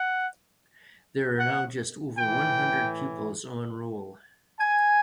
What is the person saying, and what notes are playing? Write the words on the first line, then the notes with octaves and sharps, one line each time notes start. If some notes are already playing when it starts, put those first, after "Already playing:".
There are now just over one hundred pupils on roll.
Already playing: F#5
F#5
A2 E3 G5
G#5